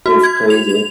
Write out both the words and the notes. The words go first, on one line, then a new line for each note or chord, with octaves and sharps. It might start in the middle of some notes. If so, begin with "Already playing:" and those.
It's crazy.
F#4
G#6
F7
F7